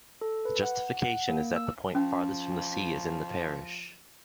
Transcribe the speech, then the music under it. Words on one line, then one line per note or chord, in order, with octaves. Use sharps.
The justification is that the point farthest from the sea is in the parish.
A4
B4
F#5
F#5
A#3
E6
F3 C#4